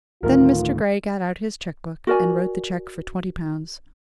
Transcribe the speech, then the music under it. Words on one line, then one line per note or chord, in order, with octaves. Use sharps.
Then Mr. Grey got out his check-book and wrote the check for twenty pounds.
D2 A2 D#3 F4 A#4
F#4 A#4 D5 G#5